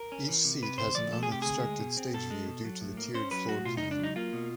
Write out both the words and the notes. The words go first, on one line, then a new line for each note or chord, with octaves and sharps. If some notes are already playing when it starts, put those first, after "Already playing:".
Each seat has an unobstructed stage view due to the tiered floor plan.
Already playing: A#4
C#4
E3
C3
C3 B4
D2 C5
F3 D5
A3 A4
G#4
C3 G4
D2 G#4
G#3
B2
C4
B2 A4
G#3
B2
F#3
A2
A#3
C#4 C5
F#3 B4
A2 F#4
B2 F4
C#2 D#4
D4
F#3
D#4
A#3 F4
B2